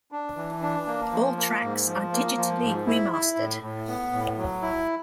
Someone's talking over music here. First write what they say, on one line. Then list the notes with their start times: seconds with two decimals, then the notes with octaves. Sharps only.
All tracks are digitally remastered.
0.12 D4
0.37 E3
0.62 D4
0.87 A#3
1.12 F3
1.37 A#3
1.62 G#2
1.87 F3
2.13 A#3
2.37 F3
2.62 G#2
2.87 E4
3.12 E4
3.37 A2
3.63 A2
3.88 B3
4.13 A2
4.38 F#3
4.62 E4